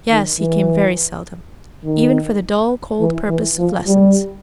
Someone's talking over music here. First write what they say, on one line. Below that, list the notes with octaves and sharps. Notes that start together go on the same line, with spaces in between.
Yes! he came very seldom, even for the dull cold purpose of lessons.
D#3
E3
D#3
E3
E3
F3
G3